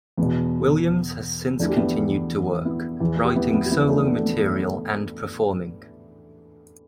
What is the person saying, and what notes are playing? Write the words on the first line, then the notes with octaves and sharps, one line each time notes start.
Williams has since continued to work, writing solo material and performing.
E2 B2 B3
E2 E3 A3 D4
G4
B3 E4
B3 E4
E2 E3
G4
B3 E4
B3 E4
G4
B3 E4
A3 D4
B3
A3
B3